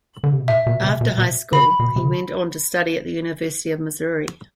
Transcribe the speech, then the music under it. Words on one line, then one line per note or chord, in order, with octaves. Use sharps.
After high school, he went on to study at the University of Missouri.
D3
C3
B2
A2 E5
B2
C3
B2
B2
D3 B5
B2
C3
D3